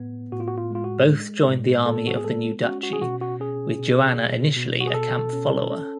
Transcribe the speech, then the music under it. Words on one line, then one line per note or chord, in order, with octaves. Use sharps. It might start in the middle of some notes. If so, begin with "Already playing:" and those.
Both joined the army of the new Duchy, with Joanna initially a camp-follower.
Already playing: A2 B3
A2 F#4
F4
F#4
F4
G#3 F4
F#4
G#3
A2
B3 A4
F#4
G#4
G#3 A4
C#4 F#4
F#4
G#4
B2 F#4
F#4
C#4 G#4
B2
B2
B2
F#4
G#4
B2 A4
C#4
C#4